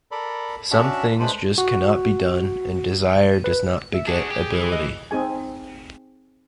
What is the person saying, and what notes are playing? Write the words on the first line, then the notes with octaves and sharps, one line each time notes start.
Some things just cannot be done, and desire does not beget ability.
A4 A#4 D5 B5
C#4 D4 F#4 D5 E5 A5
G#3 A3 D4 B4 C5 B5
F#4
B4
E5
D4 F#4 G#4
G4
E3
D#5
C4 D#4 G#4 G#5